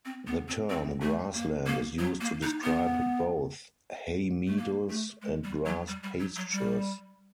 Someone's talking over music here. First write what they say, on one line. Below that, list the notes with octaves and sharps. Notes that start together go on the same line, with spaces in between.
The term, grassland, is used to describe both hay meadows and grass pastures.
C4
B3
C4
C4
A3
A#3
A#3
F#3
A#3
D#4
B3
A3
A#3
A3
G#3
G3
F#3
G3
G3
F#3
F#3
G3